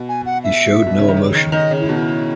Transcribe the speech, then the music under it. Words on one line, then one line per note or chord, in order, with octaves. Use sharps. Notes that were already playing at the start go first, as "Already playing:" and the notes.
He showed no emotion.
Already playing: B2
G#5
F#5
E5
B2
C#3
D#3
C#3
D#3
D#3 D#5
C#3
E4
B2 D#4
E4